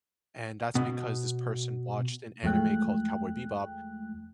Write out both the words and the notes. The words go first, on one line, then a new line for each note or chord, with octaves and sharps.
and that's because this person watched an anime called Cowboy Bebop,
B2
E2 F3 G#3 A3 G5 F#6